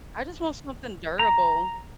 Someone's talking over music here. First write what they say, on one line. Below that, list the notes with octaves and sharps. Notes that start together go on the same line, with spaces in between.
I just want something durable.
A#5